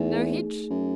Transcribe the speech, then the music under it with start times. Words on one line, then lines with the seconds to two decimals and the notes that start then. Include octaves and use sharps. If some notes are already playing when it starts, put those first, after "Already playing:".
"No hitch?"
Already playing: E2 A3 D#4 G#4
0.70 F#2